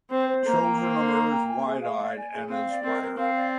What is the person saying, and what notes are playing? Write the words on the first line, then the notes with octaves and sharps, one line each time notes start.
Children emerge wide-eyed and inspired.
C4 C5
C5
A#3 A#5
G5
C5
C5
A#5
G5
G#5
G#4
F5
D5
G#5
G#4
C4 F5
D5
C4 A#4
A#4
C4 F5
D5